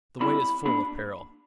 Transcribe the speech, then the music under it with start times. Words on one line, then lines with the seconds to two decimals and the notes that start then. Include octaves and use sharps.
The way is full of peril.
0.20 B2 G3 C4 E4 B5
0.65 A#3 D4 B5